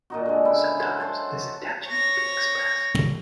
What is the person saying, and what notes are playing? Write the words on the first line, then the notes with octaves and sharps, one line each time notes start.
Sometimes, this intention will be express.
A#2 D#4 F#4
D3 G#3
C#3 E4
C5 F#5
C5 C#5 A5 C6
C#5 A#6